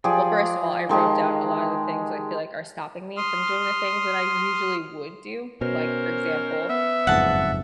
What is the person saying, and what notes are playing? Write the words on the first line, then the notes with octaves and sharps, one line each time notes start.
well, first of all, I wrote down a lot of the things that I feel like are stopping me from doing the things that I usually would do. Like, for example,
F3 G4 G#4 D5
D#3 G#3 G4 A5
C6 D#6 F6
B2 C#4 A#4 C5
B3 E5
F#1 F2 G#2 F#5 A5